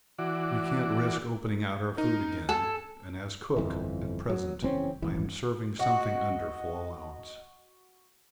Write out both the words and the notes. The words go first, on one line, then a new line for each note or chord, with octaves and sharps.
We can't risk opening out our food again, and as cook at present I am serving something under full allowance.
E3 F#4 D5
D#4 A#4
A4 G#5
G1 F2 E3
F#3
F#1 E2 C4 C#4
D#1 G#1 E3
F#4 D#5